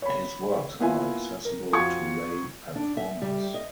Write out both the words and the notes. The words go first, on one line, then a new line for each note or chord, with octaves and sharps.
His works are accessible to lay performers.
C#5 B5
A#3 B3 E4 F4 G#5
A#4
F2 F4 F#4 C#6 G#6
D4
E5
G3
D#5